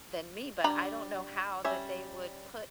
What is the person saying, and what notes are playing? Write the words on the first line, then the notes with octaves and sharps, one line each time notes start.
than me, but I don't know how that they would put
G3 D4 A#5 B5
G3 C#4 E5